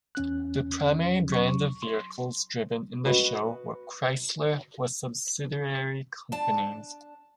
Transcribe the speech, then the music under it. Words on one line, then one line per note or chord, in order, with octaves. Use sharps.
The primary brand of vehicles driven in the show were Chrysler or subsidiary companies.
E2 C#4 F#6
F#3 C#6
C6
F#4 B4 D#5
D4 A5